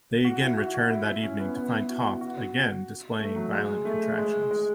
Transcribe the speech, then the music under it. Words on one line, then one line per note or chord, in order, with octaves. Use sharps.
They again returned that evening to find Toft again displaying violent contractions.
F#4
E4
F#4
F#4
E4
C#4
B3
B3
E4
F#4
F#4
A3
F#3
G#3
A3
G#3
G#3